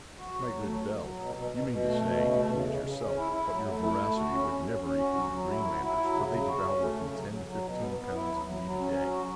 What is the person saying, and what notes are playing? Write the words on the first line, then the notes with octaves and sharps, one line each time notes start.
"My good Bell, you mean to say to please yourself, but your voracity would never equal the Green-landers', for they devour from ten to fifteen pounds of meat a day."
F#4
F#3
A3
F#3
F#3
F#3
B2
B2
B2
B2
A3
B2
C#3
A3
C#3
C#3
C#3
C#4
E4
E4
F#3
A3
E4
A3
F#4
C#4
C#4
C#4
C#4
F#4
F#3
F#3
E4
F#3
E4
F#3
C#3
C#3
F#4
C#4
A3
C#3
F#3
F#3
F#3
B2
B3
B3
E4
F#3
F#3
F#3
C#4
F#3
F#4